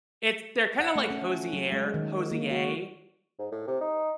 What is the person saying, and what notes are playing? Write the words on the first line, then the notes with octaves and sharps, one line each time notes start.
it's they're kinda like Hozier Hozier
F#5
A3
C#4
F#3
G#3
D#3
A#3
F#4
G#2
A2
C3
D#4